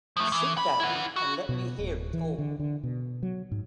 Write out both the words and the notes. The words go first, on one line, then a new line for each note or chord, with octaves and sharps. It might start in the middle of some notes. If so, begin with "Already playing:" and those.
Sit down, and let me hear it all.
F3 A3
E3
B5
E4 F#5
F#4
B2
D1
E3
D3
D3
B2
F#3
G#2